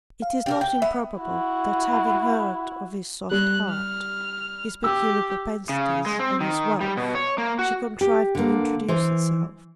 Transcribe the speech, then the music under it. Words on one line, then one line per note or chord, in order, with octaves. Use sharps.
It is not improbable that having heard of his soft heart, his peculiar propensities, and his wealth, she contrived to introduce herself.
F5
G4 A4 A#4
G5
B3 E5
E4 F#4
G3 F#6
F6
G4 E6
C#3
G#3
C4
D#3
G3
B2
C#5
A#3
F#4
G4
D3 A#3
E3 C5